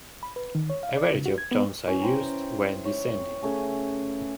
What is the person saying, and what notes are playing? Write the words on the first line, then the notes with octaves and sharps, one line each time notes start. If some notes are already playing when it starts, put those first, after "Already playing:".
A variety of turns are used, when descending.
B5
B4
D#3
C#5
F5
D5
C#3
F#4
G#6
B3
E3 C#4
C5 G5 A#5
C#5
C#3 A3 G#4